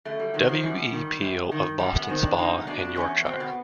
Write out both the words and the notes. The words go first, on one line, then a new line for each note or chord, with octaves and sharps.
W. E. Peel of Boston Spa in Yorkshire.
F#2 A3
G3
D#3 F#3
F3
F#2 G3
D#3
F#2
D#3
F#2 G3
B3
D#3 C4
D4
E2 D#4
B2 D4
E2 C#4
B2 C4
B3